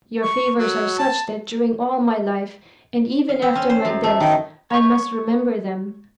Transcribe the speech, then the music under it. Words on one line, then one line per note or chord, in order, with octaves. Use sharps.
Your favours are such that during all my life, and even after my death, I must remember them.
C#6
F#3
A5
F5
C4
C#4
C5
F#2
A3
D#3
C#5 C#6